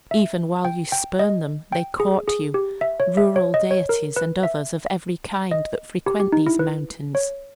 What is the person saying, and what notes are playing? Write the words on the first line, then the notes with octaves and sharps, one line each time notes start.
Even while you spurn them, they court you,--rural deities and others of every kind that frequent these mountains.
E5
G5
G5
D#5
G5
G#4
G#4
G4
E5
C#5
E5
C#5
D#5
C#5
A#4
B4
E5
D#5
G4
G4
D#4
E4
B4
C#5